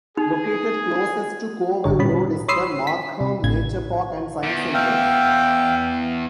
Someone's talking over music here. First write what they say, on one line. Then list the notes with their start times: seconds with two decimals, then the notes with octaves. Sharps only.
Located closest to Cowell Road is the Markham Nature Park and Science Center.
0.17 D#4 G#4
1.84 G#1 G#2 D3 C#5
1.99 A#2 G3 C#4 B5
2.48 C#5 B5 C6 D#6 E6 C7
2.87 B6
3.21 C3
3.44 A1 A2 C3 G#6
4.43 E2
4.74 E5 F5 G5